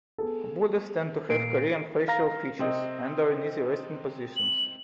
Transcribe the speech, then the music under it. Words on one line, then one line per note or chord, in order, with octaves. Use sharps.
Buddhas tend to have Korean facial features, and are in easy resting positions.
B3 G#4 A4
A#2 C7 D7
F5 A#5 A#6
C3 C4 D#5
F#7